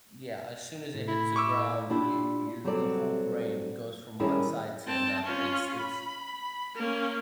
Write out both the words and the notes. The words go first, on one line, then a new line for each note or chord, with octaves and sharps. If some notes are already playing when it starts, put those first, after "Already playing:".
yeah, as soon as it hits the ground, y your your whole brain goes from one side to another. It's it's
A2
E4
C#6 D6 E6
A#2 D4 E4 G4
F#3 G3 C4 A4 D5
D#3 G3 C#4 E4 G#4 A#4
C4 A5
C#4 F4
B5
A#3 C#4